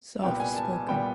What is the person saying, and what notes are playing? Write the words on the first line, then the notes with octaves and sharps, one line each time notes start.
Soft spoken.
C2 A#2 G3 B3 G5
G#5
A5
G#5
A#2 G3 B3 G5